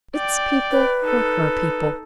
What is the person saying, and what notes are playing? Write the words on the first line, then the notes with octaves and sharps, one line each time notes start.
Its people were her people.
D5 G5
B4
D#4 A4